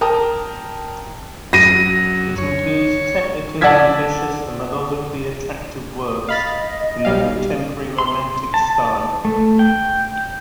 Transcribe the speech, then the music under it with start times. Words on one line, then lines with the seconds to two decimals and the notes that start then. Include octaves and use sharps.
It includes technically ambitious and melodically attractive works in the contemporary Romantic style.
0.01 A#4 G5 A5 D#6
1.53 F#2 A#6 D#7
2.38 C#5
3.61 D5 F#5 A5 E6 G#6 B6
6.29 D#5 F5 B5 A6
7.05 B1 G3 F5
7.99 C6
8.54 A5
9.25 A3
9.59 G5